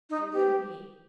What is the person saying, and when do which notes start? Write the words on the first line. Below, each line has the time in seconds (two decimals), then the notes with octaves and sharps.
They would me.
0.10 D#4
0.33 G4